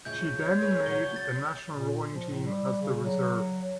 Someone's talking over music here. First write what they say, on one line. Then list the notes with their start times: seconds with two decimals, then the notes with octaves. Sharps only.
She then made the national rowing team as the reserve.
0.05 F2 C#3 E4 G6
0.37 C#5
0.61 G#3 C#4 B4
0.86 C#3 F#3 F#4 G7
1.16 A6
1.72 A#2
2.12 F3
2.30 A2
2.45 G3
2.82 C#3
3.04 F#3